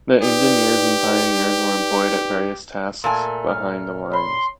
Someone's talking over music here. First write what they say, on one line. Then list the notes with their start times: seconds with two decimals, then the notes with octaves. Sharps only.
The engineers and pioneers were employed at various tasks behind the lines.
0.22 D#4 G4 B4 D5
3.04 A#2 A3 A#4 G#5 A5
3.48 F6
4.12 C#5 B5 C6